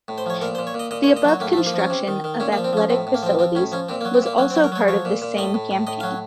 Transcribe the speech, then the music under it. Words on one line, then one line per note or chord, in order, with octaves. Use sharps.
The above construction of athletic facilities was also part of this same campaign.
A2
C5
F3 C#5
A#2 A#4
C5
A#2
C#5
A#2
D#5
A#2 D#5
C#5
A#2
D#5
F#3 F#4
A2 A#3
A3
F3
A#3
F3
C#4
C3
D#3
D#3
A#2 C#4
A#3
F3
C4
F3 C#4
A2 C4
A2
A#3
F3 C4
F3 C4
A2 C#4
F3 C#4
A#2 C4
A#3
F#3
C4
A#2 A#3
F#3 A#3
C4
F#3
A#4
F#3 C#5
F3 C#5
A#2
A#2
A2 D#5
A2
A2
A2 D#5
F5
F#3